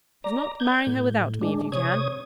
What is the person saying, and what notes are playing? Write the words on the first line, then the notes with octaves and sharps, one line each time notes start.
If not, marry her without me if you can.
D5 A#5
G6 G#6
A2
G#3 D4
C3 C#5 D#6 G#6